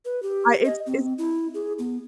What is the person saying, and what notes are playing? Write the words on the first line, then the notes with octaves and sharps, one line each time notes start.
I it's it's
B4
G4
D#5
C4
E4
G#4
B3